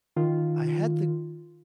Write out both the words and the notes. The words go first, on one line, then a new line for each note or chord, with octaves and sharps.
I had the
D#3 F4